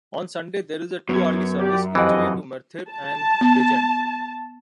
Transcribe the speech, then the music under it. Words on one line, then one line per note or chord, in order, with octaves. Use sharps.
On Sunday, there is a two-hourly service each way to Merthyr and Bridgend.
F#2 B3 G#6
G4 D5
F2 E3 C4 G4 D#5 F#5
A5
B3